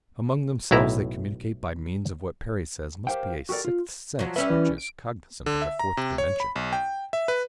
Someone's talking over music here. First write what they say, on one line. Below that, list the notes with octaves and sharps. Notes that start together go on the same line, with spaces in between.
Among themselves they communicate by means of what Perry says must be a sixth sense which is cognizant of a fourth dimension.
B1 A2 E4 A#5
G4 A#4 C5 F5 G5
F#4 G4 A4 A#4 D5
F4
F3 F#3
G3 C#4 B4 E5
E3
D7
D3
E5
A#5
C3
C#5
B5
B1
G5
E5
B4